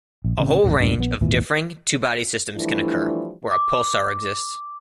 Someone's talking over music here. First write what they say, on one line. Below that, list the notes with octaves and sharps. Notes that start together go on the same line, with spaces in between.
A whole range of differing two-body systems can occur, where a pulsar exists.
A#1
A1 C#3 C4
E1 A#1
D1 D2 G2 B2
A#1 B3
G#1 D#2 A#2 E3
E3 F3 G3 A3 D4 E4
D6